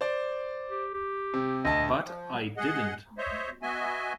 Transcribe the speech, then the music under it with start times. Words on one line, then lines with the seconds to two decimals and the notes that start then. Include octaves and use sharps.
But I didn't.
0.01 C5 D5
0.70 G4
0.94 G4
1.34 C3
1.65 D2 D#5 A5
2.02 F3
2.57 G#4 D#5 F#5
3.18 C5 C#5 D#5 E5
3.62 B3 F#4 D#5 E5 G#5